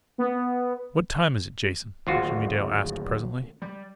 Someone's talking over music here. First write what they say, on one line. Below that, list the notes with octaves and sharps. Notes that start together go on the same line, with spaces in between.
"What time is it, Jason?" Jimmie Dale asked presently.
B3
D1 G#1 D#2 F4 F#4
G3